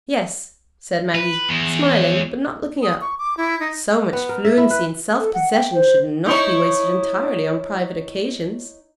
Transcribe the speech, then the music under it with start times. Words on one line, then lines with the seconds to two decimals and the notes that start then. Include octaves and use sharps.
"Yes," said Maggie, smiling, but not looking up; "so much fluency and self-possession should not be wasted entirely on private occasions."
1.15 B4
1.49 E2
1.85 C#5
2.83 D#6
3.01 C#6
3.18 D6
3.37 E4
3.60 D#4
4.13 B3
4.29 A#4
4.45 E5
4.57 E4
4.71 B4
5.19 A4
5.34 F#5
5.53 G5
5.74 C5
6.26 D#4 E4 C#5